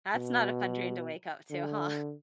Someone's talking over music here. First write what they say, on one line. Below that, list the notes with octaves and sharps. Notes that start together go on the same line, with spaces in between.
That's not a fun dream to wake up to, huh?
B2
D3